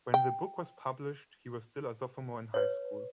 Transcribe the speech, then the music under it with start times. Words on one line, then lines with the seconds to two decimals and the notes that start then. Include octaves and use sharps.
When the book was published, he was still a sophomore in high school.
0.14 G5
2.54 B4 C#5